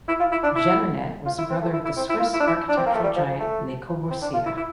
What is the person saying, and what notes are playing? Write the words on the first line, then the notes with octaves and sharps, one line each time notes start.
Jeanneret was the brother of the Swiss architectural giant Le Corbusier.
E4
F4
E4
D4
E4
F4
E4
C4
A3
E4
E4
C4
E4
F4
E4
D4
E4
D4
C4
A#3
A3
G3
F3
F3
A3
C4
D4
F4
E4
E4